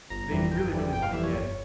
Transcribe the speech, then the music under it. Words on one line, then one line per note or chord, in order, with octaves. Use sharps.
they really, really wanna get,
G1 A#5
F2 E3 G3
G1 G5
F2 E3 G3
G1 G5
F5
F2 E3 G3 E5
C#5
G1